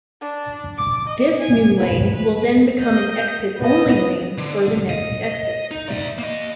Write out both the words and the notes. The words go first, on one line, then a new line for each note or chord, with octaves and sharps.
This new lane will then become an Exit Only lane for the next exit.
D4
D6
D#5
G#5
B4
B4
D#5 G6
B3 D#5
D3
D#5
D#4
D5 E5
A#3 D#5